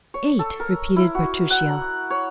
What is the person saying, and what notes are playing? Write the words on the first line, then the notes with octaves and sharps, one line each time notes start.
"Eight!" repeated Bertuccio.
C#5
A4
A#4
E4
F#4
F#5
A#5
C#5